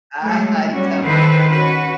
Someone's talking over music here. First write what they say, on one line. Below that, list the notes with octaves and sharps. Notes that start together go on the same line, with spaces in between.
Uh, I don't know.
F#3 G#3 A3
G3 C#4 F#4
D#3 E3 A4 B4 C5
C#4 F#4 B4